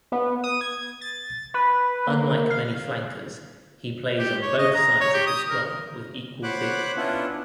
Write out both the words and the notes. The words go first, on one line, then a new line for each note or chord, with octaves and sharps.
Unlike many flankers, he plays on both sides of the scrum with equal vigor.
B3
D#6
G#6
A6
B4
A#3
F5
G4
C#5
D#5
A#5
C#5
G4
D#6
A#4
C5 C#5 F#5 B5 D6 F#6
B3 C#4 D4 E4 F4